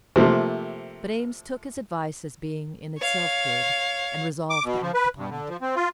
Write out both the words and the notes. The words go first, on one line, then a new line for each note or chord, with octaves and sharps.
But Eames took his advice as being in itself good, and resolved to act upon it.
C3 F3 A3 A#3
C#5 F5
D6
B2
F3
B4
G2
D3
F3
C4
F4